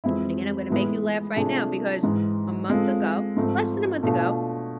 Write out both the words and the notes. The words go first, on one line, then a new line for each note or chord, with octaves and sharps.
but again, I'm gonna make you laugh right now, because a month ago, less than a month ago,
F2 E3 G#3 C4 E4
A2 E3 G#3 B3 E4
C3 F3 A3 D4 G#4
G#2 E3 G#3
G#3 C4 F4 A4
G#2 F3 A3 C4
B2 A3 D4 F4